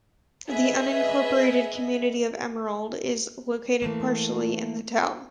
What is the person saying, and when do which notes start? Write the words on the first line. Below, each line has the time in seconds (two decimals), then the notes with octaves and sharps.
The unincorporated community of Emerald is located partially in the town.
0.48 G#4 B4 D#5 E5
3.82 E3 A3 A#3